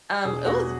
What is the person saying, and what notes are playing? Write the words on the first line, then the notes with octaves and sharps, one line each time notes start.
Um, it was
E1 G#4 G#5
E2 F#4 F#5